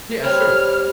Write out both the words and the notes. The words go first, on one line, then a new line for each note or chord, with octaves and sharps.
Yeah, it's true.
G3 C4 B4 C#5 F6